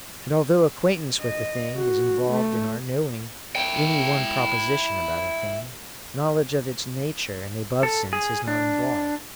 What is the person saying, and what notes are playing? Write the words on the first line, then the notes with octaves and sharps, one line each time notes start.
And although acquaintance with a thing is involved in our knowing any one proposition about a thing, knowledge of its 'nature', in the above sense, is not involved.
D#5
F#4
A3
E4 G5
A4
G#4
D4